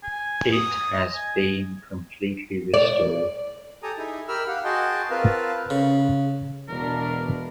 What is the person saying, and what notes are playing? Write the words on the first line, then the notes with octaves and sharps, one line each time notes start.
It has been completely restored.
G#5
D#6
D#5
G#5
D5
G4 A4 G#5 A#5 D#6
D#4 E4 G#4
G4 A#4 B5 E6 F6
G4 F5 F#5
F#4 G#4 D#5 G5 A5 C6
C4 F4 A#4 B4 F5 A5
C#3
E1 B2 D4 A#4